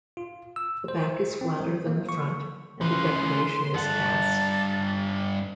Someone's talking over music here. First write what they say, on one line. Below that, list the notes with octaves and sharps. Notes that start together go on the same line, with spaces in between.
The back is flatter than the front, and the decoration is cast.
F4
E6
C5
C4
F#3
A#3
C#6
C#3 B4 C6
G2 F#5 A5